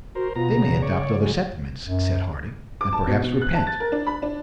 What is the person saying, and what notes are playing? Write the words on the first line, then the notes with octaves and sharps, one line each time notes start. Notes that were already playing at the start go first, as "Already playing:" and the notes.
"They may adopt other sentiments!" said Harding, "and perhaps repent."
F#4 A#4 C5
B2 F4 A#5
C#3
C#5 D5
F#3 G#3
F#2
D6
A5
B2
B2
F#6
A5
A6
A#4
D4
B5
D4